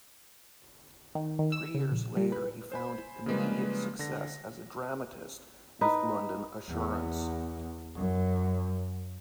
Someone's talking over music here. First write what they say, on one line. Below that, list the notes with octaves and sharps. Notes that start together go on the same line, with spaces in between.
Three years later he found immediate success as a dramatist with "London Assurance".
D#3
D#3
E6
C#3
A#1
G3
B4
C5 G#5 B5
C#3 F3 G3 G#3 A#3 B4
D3 A#6
D#4 B4
E2
F#2